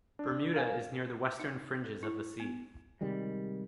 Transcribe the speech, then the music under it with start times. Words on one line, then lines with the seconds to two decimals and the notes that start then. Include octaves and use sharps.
Bermuda is near the western fringes of the sea.
0.19 D4
0.54 A#4 F5 G#5
1.40 D#4
1.84 A4
2.03 E4
2.40 B3
3.01 C3 D#3 G3 G#3